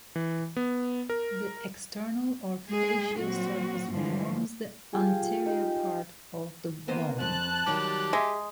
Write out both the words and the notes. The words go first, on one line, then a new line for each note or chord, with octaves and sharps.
The external or facial surface forms the anterior part of the bone.
E3
B3
A#4
G#3 G#4
A#2 F#3 C4 F#4
G2 D3 E3 F3 G#3
F4 G4 G#4
D#4 G4 F5
A#3 B3 C5 D#5
F2 A5 F#6
D#3 F#3 G3 G4
G#3 G#4 E5